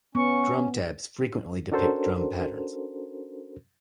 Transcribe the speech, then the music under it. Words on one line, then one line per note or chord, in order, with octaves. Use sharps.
Drum tabs frequenctly depict drum patterns.
B3 C#4 C#6
C#4 D4 F#4 A4 A#4 C5